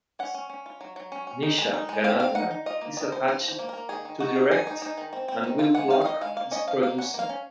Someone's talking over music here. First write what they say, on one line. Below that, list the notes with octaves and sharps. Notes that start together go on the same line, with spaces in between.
Nisha Ganatra is attached to direct and Will Gluck is producing.
C#4 F#5
C#4
C#4
F4
F#3
F#3
C#4
C#4
D#4
G#3
D#4
G#3
C4 F5
C4 F5
D#4 F#5
D#4
F4 D#5
A#3
A#3 D#5
F3 C5
F4 C5
F3 C5
A#3
A#3 A#4
D#3 G#4
D#3
D#4 F#4
D#4
D#3 G#4
D#4
D#4
D#3
C4
C4
D#3
F4
G#3 F#5
D#3 F5
F5
D#3 D#5
G#3 F5
A#3 F5
C#4 D#5
F3 F5
A#3 F5
C#4 F#5
A#3 F5
C#4